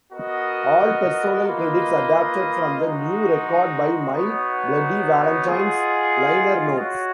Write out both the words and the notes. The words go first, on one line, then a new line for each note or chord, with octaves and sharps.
All personnel credits adapted from "The New Record by My Bloody Valentine"s liner notes.
B3 F#4 A#4 D#5
A#3 F4 B4 D#5
G#3 D#4 F#4
B3 D#4 F#4 C#5
F4 G#4 D#5 F#5
F#4 C#5